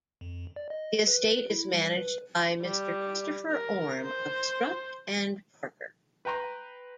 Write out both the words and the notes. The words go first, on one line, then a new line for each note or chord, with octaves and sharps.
The Estate is managed by Mr Christopher Orme of Strutt and Parker.
F2
D5
D#5
B4
E4
G3
B4
G3
A#4
C5
B4 G5 A#5 C6